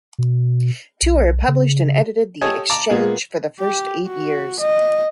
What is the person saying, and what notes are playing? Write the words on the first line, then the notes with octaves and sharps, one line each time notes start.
Tuer published and edited the "Exchange" for the first eight years.
B2
B1
C#3
G4 A4 C#5 D#5 G#5
A5 A#5 D6
A#2 A#3 B3 G#4
G4
F#4
D#5